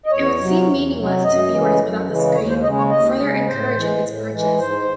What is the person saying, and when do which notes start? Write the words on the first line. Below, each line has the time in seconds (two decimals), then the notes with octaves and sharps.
It would seem meaningless to viewers without the screen, further encouraging its purchase.
0.06 D#5
0.11 E2 C#5
0.40 C3 F#3
0.68 E2
0.96 C3 F#3
1.24 F#2 D#5
1.51 C#3 E3 G#3
1.80 F#2
2.07 C#3 E3 G#3
2.35 D#2 C#5
2.49 C5
2.63 C#3 G#3 D#5
2.78 C#5
2.91 D#2 D#5
3.19 C#3 G#3
3.47 A2 C5
3.76 E3 G#3
4.04 A2
4.32 E3 G#3
4.59 G#2 C5